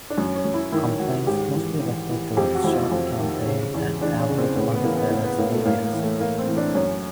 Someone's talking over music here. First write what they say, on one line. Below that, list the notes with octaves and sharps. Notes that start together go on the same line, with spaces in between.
Complaints mostly refer to its short campaign and average multiplayer experience.
D4
F#2 C#4
C#4
F#2
E4
D#3 E4
D#3 F#4
G#2 G4
E3
E3
E3
F2 G4
F#4
F2 E4
F4
F2
D#3
C#3
E2
E2 D4
C#4
C#3
C4
A2 B3
B3
E3 A#3
B3
A2 B3
B3
A2 A#3
A3
A2 A#3
A#3
E3
A3
A2 A#3
C4
E3
D4
F#2 C#4